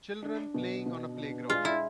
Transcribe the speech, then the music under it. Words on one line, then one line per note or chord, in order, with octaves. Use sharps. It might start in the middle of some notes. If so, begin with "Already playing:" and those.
Children playing on a playground.
D4
B2
B2
D4
G#3 F4
E4